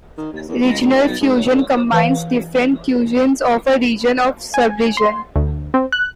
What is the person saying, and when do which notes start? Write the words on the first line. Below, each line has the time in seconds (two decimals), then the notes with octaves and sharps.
Regional fusion combines different cuisines of a region or sub-region.
0.18 D#3
0.33 D#2
0.48 E2
0.64 C#2
0.81 D2
0.95 F1
1.07 B1
1.21 G#2
1.37 G#1
1.51 D3
1.92 E3 B4 F5
4.54 G#5
4.97 C6
5.35 D2
5.74 C4
5.92 F#6